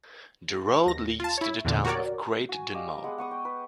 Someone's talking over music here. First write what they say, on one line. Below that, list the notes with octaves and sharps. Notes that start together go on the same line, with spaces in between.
The road leads to the town of Great Dunmow.
D#2 A#6
F4 A5
E4 C#5
E2 A#2 D3
F#4 G4 A#4 C#5 D5
F#4 G#5
G4 D5 D#5 F5
G#3 B3 F#5
B3 C#6 D#6
G5
B4